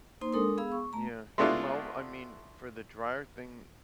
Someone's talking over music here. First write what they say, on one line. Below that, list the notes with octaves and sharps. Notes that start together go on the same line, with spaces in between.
Yeah, well, I mean, for the dryer thing,
A#3 D#4 C5 C6
G#3 D4 A4 A#4 C6 D#6
B3 G#4 F5 B5 E6
C#6
A3 A#5
G#3 A3 B3 D4 E4 F4